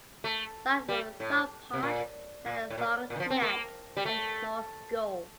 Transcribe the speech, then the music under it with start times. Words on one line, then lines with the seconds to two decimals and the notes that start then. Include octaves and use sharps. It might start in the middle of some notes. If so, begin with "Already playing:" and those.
Like most sauropods, it had a long neck and a small skull.
0.24 A3
0.89 G3
1.20 A2
1.74 C3
1.83 A#2
2.46 A#2
2.70 A2
2.78 A#2
3.10 A#2
3.16 D#3
3.20 F3
3.30 C4
3.42 A#3
3.97 G3
4.05 A3